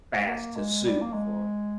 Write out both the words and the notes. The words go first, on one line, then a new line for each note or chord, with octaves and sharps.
fast to sue for
G#3
A#3
G#3
G3
A#3
G#3